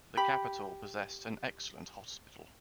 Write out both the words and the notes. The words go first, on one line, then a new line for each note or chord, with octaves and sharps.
The capital possessed an excellent hospital.
G4 B5